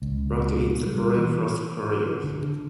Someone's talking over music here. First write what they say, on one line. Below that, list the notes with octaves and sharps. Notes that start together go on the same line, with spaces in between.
But it's a breakfast cereal!
C#2
G3
E3
D3